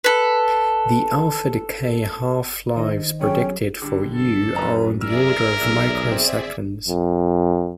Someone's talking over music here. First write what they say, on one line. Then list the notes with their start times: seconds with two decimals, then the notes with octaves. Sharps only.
The alpha-decay half-lives predicted for Uue are on the order of microseconds.
0.04 A4 B4
2.77 D#3 C5 D#5
3.21 F#3 C#4 G#4 C#5 G5
3.82 D3 G3
4.14 F#2 A4
4.56 B1 B4 A#5
5.01 G#4 A#4 D5 E5 E6 F6
5.61 B1 E6 F6
6.11 C4
6.88 F2